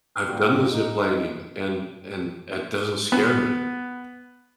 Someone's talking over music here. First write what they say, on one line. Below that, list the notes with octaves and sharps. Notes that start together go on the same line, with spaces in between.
I've done the ziplining, and and that doesn't scare me.
C2 A#2 D3 A#3 F#4 G4
D#4
B3